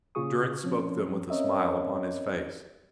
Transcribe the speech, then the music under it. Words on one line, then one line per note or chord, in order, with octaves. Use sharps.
Durrance spoke them with a smile upon his face.
A#2 C#3 F4 G#4 C#6 D#6
F3 C4 C#4
C4 C#4 A#4 C#5 D#5 E5